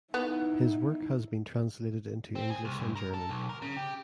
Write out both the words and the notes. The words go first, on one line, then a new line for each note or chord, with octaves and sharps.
His work has been translated into English and German.
B3 D#4 E4
C4
G#4
C2
G2
A#4
A4
B1
A#4
C#3
G4